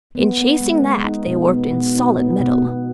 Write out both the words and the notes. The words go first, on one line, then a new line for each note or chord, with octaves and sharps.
In chasing that they worked in solid metal.
B3
B3
G#3
G#3
D#4
B2
B3
B2
D#4
B3
B2
B2